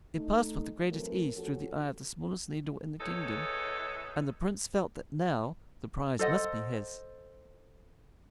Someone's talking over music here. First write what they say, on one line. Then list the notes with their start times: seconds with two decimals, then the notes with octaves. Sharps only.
It passed with the greatest ease through the eye of the smallest needle in the kingdom, and the Prince felt that now the prize must be his.
0.15 A3 D#4
0.90 E3 F#3 A3 C4 A#4
1.35 F3 C#4 F#4 G4 A4
3.00 E2 A4 C#5 D#5
6.19 A4 C5 D#5 F#5